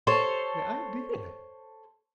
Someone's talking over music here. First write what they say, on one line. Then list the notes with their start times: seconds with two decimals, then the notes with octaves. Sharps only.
The idea!
0.07 A4 C5 C#5